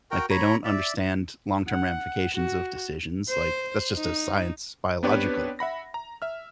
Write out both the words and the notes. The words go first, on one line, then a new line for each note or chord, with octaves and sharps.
like, they don't understand long-term ramifications of decisions, like, that's just a science biological
F#4 A#4 G5
C#5 A#5 B5
D5 E5
F#5
F#4
C5
D#4
B3 C4 D4 G4 B4 C#5
E5 F#5 B5 A#6
A#5
E5 F6